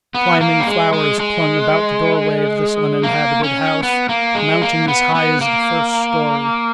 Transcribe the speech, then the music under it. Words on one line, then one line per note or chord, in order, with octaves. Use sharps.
Climbing flowers clung about the doorway of this uninhabited house, mounting as high as the first story.
B3
A#3
G3
G#3
G#3
G#3
A#3
C#4
B3
A#3
G#3
A#3
B3
B3
A#3